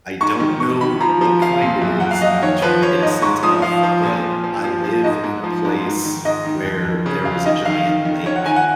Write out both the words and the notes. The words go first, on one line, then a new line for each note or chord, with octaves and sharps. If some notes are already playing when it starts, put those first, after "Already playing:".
I don't know what kind it is. I'm trying to get it sent off, but I live in a place where there was a giant lake.
G#2 C#6
D#3
D#3 C#6
D#3 B5
F3 A#5
F3
F3 F5
A#2
F#2
F#2 F#5
F5
F#2 D#5
D#3 C#5
F3 B4
F3 C#5
G#2 D#5
G#2 C#6
F3 D#6
F3 F5
F3
A#2
F3
F3
F3
F3
G#2 D#5
G#2
F3
G#2
G#2
D#3
G#2 D#5
D#3
F2
F2
C#3
F2 F5
D#3 D#5
D#3 F5
D#3
D#3
D#3 C#5
F#5
D#3 G#5
F#5